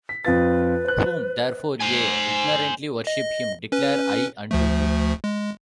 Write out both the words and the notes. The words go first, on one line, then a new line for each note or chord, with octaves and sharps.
Whom therefore ye ignorantly worship, him declare I unto you.
B6
F2 F4 B4 A6
C5 F#6
C5 G#5
D#5
C#4 B4
D2 F3 A3
G#3